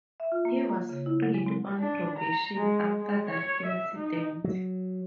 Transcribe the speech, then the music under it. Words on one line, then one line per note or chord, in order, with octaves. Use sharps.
He was freed on probation after that incident.
E5
F4
A#3
A#5
C#3
E4
F#3
G#3
C4
D4
A#5
G#3
G#3
C#5
E5
D#4
F#3